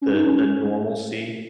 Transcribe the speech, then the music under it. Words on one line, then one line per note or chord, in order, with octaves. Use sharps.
the the normalcy,
C#4
D#4
C#4